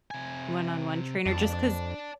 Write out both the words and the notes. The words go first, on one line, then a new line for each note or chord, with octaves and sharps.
one-on-one trainer, just 'cause
C3 G#5
F2 D5 A5